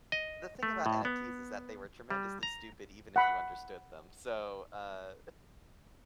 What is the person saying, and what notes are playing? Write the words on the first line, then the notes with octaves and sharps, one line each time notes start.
The thing about NFTs is that they were tremendously stupid even if you understood them. So, uh,
D#5
A3
A2
B3
G3
A#5
F#5 B5